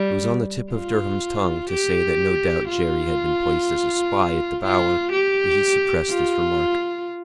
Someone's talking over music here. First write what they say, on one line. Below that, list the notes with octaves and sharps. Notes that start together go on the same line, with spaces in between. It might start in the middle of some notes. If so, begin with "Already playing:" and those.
It was on the tip of Durham's tongue to say that no doubt Jerry had been placed as a spy at the Bower, but he suppressed this remark.
Already playing: G3
F4
G4
F4
F4
G4
F4